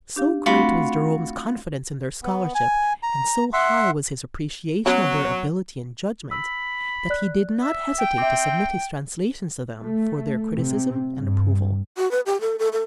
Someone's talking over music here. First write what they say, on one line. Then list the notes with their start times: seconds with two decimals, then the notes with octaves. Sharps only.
So great was Jerome's confidence in their scholarship and so high was his appreciation of their ability and judgment that he did not hesitate to submit his translations to them for their criticism and approval.
0.16 D4 G4 F5
0.46 A3 C4 D4 F4 F#4 B5
2.23 B3
2.55 G#5
3.03 A#5
3.53 E5 F#5 C6
4.86 F#3 B3 C#4 F#4
6.31 B5 E6
7.10 D5 F#6
7.62 E5
7.98 G5
8.18 C4 E5 D6
9.79 A3
10.56 C3
11.16 G2
11.96 F#4
12.11 B4
12.26 G4
12.41 A4
12.59 A4
12.73 A4